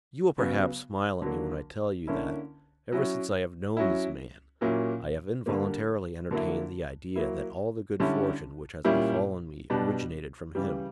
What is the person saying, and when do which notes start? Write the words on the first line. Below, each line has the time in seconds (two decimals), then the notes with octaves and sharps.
You will perhaps smile at me when I tell you that, ever since I have known this man, I have involuntarily entertained the idea that all the good fortune which has befallen me originated from him.
0.38 C#3 F#3 B3
1.22 D3 F#3 A#3
2.07 D3 A#3 C#4 E4
2.92 F#3 C#4 E4
3.77 F#3 C#4 E4
4.61 A#2 F#3 A#3 C#4 E4
5.46 D3 G3 A#3
6.31 D3 F#3 A#3 E4
7.16 F#3 A#3 E4
8.00 D3 G3 C#4 E4
8.85 A#2 G3 A#3 C#4 E4
9.70 B2 G3 B3 D4
10.55 C#3 E3 G3